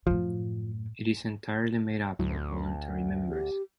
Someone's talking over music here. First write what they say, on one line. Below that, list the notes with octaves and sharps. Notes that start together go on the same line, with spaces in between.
It is entirely made up of voluntary members.
F#2 A2 F3
D2 A2 F#3
G4